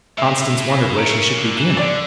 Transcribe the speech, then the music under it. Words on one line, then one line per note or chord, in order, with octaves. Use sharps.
Constance wondered where she should begin.
A2 E5
A2
C#3 A#4
D3
E3
D3 D5